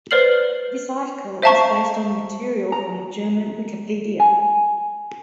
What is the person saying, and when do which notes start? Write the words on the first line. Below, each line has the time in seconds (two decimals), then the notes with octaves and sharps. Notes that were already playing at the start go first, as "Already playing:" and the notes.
This article is based on material from the German Wikipedia.
0.11 B4 C5 D5 F6 C7 F#7
1.42 C5 E5 F5 A5 A#5 C#6
2.72 A#5
4.20 G#5